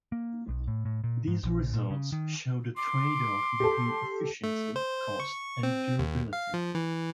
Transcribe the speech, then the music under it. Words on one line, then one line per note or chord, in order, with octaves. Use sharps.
These results show the trade-off between efficiency, cost, and durability.
A#3
B1
A2
A2
A#2
G#2
A#1
A#2
C#3
D#3
C6 D6
G4 A4
A3
C5
C#6
C4
D#2
F5
F3
E3